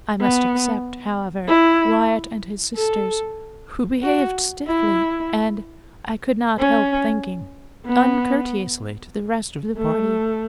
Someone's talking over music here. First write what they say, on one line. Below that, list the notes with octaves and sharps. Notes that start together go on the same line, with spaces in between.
I must except, however, Wyatt and his sisters, who behaved stiffly, and, I could not help thinking, uncourteously to the rest of the party.
B3
E4
A4
F#4
E4
C#4
B3
A3